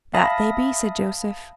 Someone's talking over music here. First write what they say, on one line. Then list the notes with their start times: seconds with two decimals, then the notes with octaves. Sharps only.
"That they be," said Joseph.
0.14 E5 F5 A5 B5 D#6 A#6